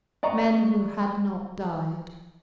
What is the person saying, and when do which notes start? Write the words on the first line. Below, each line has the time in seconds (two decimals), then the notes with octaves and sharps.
Men who had not died!
0.23 D5 D#5 A#5 C#6